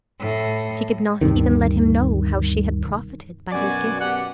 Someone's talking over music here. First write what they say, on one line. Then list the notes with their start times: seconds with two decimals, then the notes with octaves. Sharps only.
She could not even let him know how she had profited by his gifts!
0.20 A2
1.21 D2 G2 C3 D#3
3.53 F#2 B2 F#4 D5 F#5 G#5
4.00 F#2 B2 G4 F#5